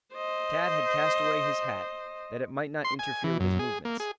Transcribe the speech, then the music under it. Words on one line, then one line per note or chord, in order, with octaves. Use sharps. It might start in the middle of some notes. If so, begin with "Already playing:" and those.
Tad had cast away his hat, that it might not interfere with his movements.
C5 D#5
C6
G#5
E3
F#2
G#4
A#3
G#4